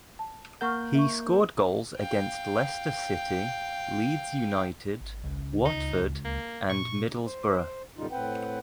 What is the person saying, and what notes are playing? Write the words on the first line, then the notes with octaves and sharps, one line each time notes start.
He scored goals against Leicester City, Leeds United, Watford and Middlesbrough.
A5
A#3 A#4 F#5 C#6 F6 G6
E5 C#6
F5 G5
G#1
C#2
D2 D#4
A#3
A#2 C#6
C5
F#2 B2 D3 G3 D#4 F4
A2 C4 B4 F#5 G5